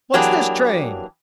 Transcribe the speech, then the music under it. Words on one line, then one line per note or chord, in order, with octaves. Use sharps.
"What's this train!"
E3 F#3 A#3 D4 G4 G#4